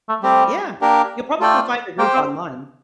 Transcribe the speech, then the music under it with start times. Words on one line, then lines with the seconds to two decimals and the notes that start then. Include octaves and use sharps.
Yeah. You'll probably find a group online.
0.09 A3
0.22 G3 A3 C4 G4
0.81 A#3 D4 G4 A#4
1.40 A3 F4 A4 D5 G5
1.98 A#3 G4 C5 G5
2.14 C4